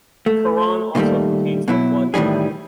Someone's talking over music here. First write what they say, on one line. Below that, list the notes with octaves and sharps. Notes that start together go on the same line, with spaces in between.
Quran also contains the flood narrative.
A3
A#2 D#3 E3 G3 A3
B2 F#3 E4
A2 D#3 E3 G3 G#4